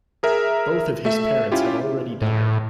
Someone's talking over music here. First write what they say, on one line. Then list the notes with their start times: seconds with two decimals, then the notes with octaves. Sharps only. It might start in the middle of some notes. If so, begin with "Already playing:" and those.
Both of his parents have already died.
0.23 G#4 A#4 E5
1.05 A3 E5
1.52 C#4 E4 F4 G4
2.22 A2